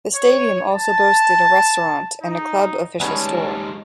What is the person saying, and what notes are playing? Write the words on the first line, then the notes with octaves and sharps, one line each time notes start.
The stadium also boasted a restaurant and a club official store.
C#5
A5
D#4
G3 G#3 C#4 D#4 G#4 B4 C#5 A5